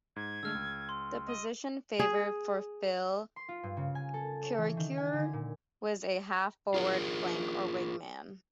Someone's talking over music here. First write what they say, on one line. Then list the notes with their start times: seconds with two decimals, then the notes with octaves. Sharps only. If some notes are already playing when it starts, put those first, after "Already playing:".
The position favoured for Phil Krakouer was as a half forward flank or wingman.
0.16 G#2 G#6
0.43 D3 G#3 A3 E6 F6
0.55 C#2
0.89 C6
1.26 D#5
1.99 G#4
3.36 C6
3.49 F4
3.63 G2
3.77 C#3
3.95 G#5
4.14 A4
4.43 C#5
4.58 E3
4.77 D#3
4.98 G#5
5.13 D3
5.33 A#2
6.74 F4 G#4 A#4